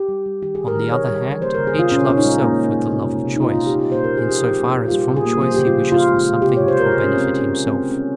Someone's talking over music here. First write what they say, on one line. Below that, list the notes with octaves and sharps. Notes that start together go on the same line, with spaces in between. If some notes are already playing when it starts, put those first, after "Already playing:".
On the other hand, each loves self with the love of choice, in so far as from choice he wishes for something which will benefit himself.
Already playing: G4
G3
G3
D#3 G4
D#3 G#4
A#4
D#3 G#4
C#3 C#5
G3
C#3
A#3 C5
C#3 A#4
G#4
C#3 F4
A#2 C#4
A#2 C#4
D#4
G#3
A#3
A#3
A#3
C3
A#3
C3
D#4
C3 F4
A#3 F4
G4
C3 D#4 F4
A#2 C5
A#2 A#4
G#4
F3 G4
F3 G4
A#3
A#2
F4
G3 G4
A#2
G#4
A#3
F3 C5
C#3 G4
F4
C#3
C#3 F4
G#3
G#3
C3 G4
C3 C#5
C5
F3 A#4
C#3 G#4
G#3 C#4
C4
C#3 C#4
C3 C#4
C3
C4
C3
G3 C#4